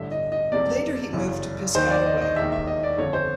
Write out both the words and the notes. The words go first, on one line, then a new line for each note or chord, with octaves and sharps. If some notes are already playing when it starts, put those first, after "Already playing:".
Later he moved to Piscataway.
Already playing: A1 G2 D3 E5
D#5
D#5
F#1 F2 C3 D5
G1 F#2 C#3 E3
D#2 D#3 C5
D5
D#5
D#5
E1 D#2 D#3 E5
E5
D#5
D5
G1 F2 D3 C#5
C5